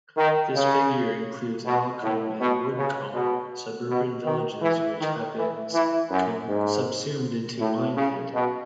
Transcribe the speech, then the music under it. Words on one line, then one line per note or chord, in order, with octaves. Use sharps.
This figure includes Alcombe and Woodcombe, suburban villages which have been subsumed into Minehead.
D#3
C#3
B2
A2
B2
C#3
B2
B2
D#3
E3
D#3
E3
E3
F#2
G#2
A2
C#3
B2